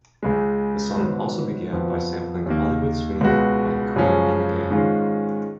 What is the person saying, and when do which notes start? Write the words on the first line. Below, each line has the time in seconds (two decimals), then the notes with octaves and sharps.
The song also began by sampling "Hollywood Swinging" by Kool and the Gang.
0.23 C#2 C#3 G#3
0.97 G#2 D#3 F#3 B3
1.73 F2 F3 B3 F#4
2.46 D#2 D#3 A#3
3.21 C#2 B2 G#3 B3 F#4
3.96 F#2 C#3 F3 G#3 C#4
4.71 G#2 D#3 G#3 C#4 F4